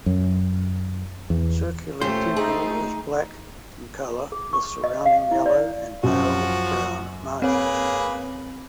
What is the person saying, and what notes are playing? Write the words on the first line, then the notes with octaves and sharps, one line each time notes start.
Circular pupil is black in color with surrounding yellow and pale brown margins.
F#2
E2
A#2 A3 C#4 G4 C5
D#4 G#4
G#4
C#6
D#5
F5
E4
D5
F#2 F3 F#4
A#3 C4 G#4 B4 C#5